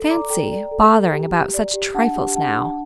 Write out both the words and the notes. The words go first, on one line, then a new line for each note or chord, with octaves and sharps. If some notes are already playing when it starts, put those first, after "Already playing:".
Fancy bothering about such trifles now!
Already playing: A4
D5 A#5 D6
A4 G5 A#5
D5
A4
A4
G4
G4
D5
G4
D4 F#5 A5
G4
D4 F#5 A5
D4